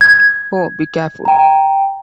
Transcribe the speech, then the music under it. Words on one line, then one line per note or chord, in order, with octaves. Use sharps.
Oh, be careful.
G#6
G5 A#5